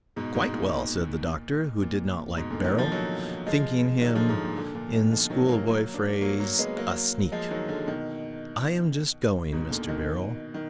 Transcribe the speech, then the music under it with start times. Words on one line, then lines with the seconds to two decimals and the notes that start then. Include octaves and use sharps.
"Quite well," said the doctor, who did not like Beryl, thinking him, in schoolboy phrase, "a sneak." "I am just going, Mr. Beryl."
0.16 G#2 B2
0.34 G#2 B2
0.52 A#2
1.82 A#2
2.37 G#2 B2
2.50 A#2 D3
2.64 B2 D#3
2.77 D3 F3
2.92 D#3 F#3
3.47 F3 G#3
4.01 D#3 F#3
4.15 D3 F3
4.29 G#2
4.43 A#2
4.56 A#2 D3
4.75 A#2 D3
4.94 B2 D#3
5.11 D3 F3
5.30 D#3 F#3
5.48 F#3 A#3
5.67 F#3 A#3
5.94 A#3 D4
6.21 F#3 A#3
6.40 F#3 A#3
6.58 G#3 B3
6.77 F#3 A#3
7.32 F3 G#3
7.51 D#3 F#3
7.68 D3 F3
7.87 B2 D#3
9.52 G#2 B2
9.70 A#2 D3
9.88 B2 D#3
10.54 D#3